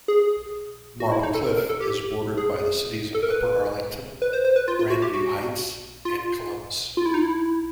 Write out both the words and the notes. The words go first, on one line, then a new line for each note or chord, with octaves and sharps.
Marble Cliff is bordered by the cities of Upper Arlington, Grandview Heights, and Columbus.
G#4
F#4
E4
D#4
A4
A#4
A#4
A4
G4
G#4
A4
A#4
B4
B4
C5
C5
B4
F4
F4
F#4
G4
F#4
F4
F4
E4
D#4
E4